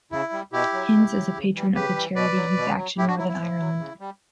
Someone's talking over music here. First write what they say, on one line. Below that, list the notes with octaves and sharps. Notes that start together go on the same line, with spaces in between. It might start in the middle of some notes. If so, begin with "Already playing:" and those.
Hinds is a Patron of the charity YouthAction Northern Ireland.
C#3 E4
G3
B2 E4 G4
F#3
B2
F#3
C#3
E3 G3
C#3 G4 B4
E3 G3
B2 B4 D5
F#3
B2
F#3
A2 E4 G4
D4 F#4
F#3 E4
E4
A2
F#3
C#3
G3